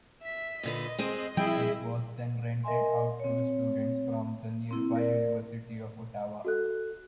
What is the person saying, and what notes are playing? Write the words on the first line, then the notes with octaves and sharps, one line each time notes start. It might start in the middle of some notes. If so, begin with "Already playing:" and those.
It was then rented out to students from the nearby University of Ottawa.
E5 B6
A#2 D3 B4 D#5
G#3 C4 G#4
F3 G3 C4 E4 G#4 G5
A#4 D#5 E5 G#5 C6
C4 C#5
A#3 C4 E4
A#4 D5
F#4 A4 F#6